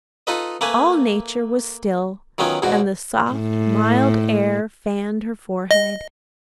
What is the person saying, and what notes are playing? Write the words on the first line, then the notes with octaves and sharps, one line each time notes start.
All nature was still, and the soft, mild air fanned her forehead.
D#4 F4 A4 B4 D#5
A3 A#3 B4 G#5
D#3 F#3 B3 C#4 F4
E2 G#2 B2 F#4
A2
D#5